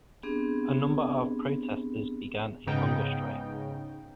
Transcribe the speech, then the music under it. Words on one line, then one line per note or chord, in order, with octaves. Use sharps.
A number of protesters began a hunger strike.
B3 C4 D4 G4 G#4
G#2 C#3 B3 D#4 G5